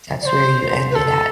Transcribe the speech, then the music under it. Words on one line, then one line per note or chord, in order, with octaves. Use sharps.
that's where you end it at.
D5
C5
B4
A4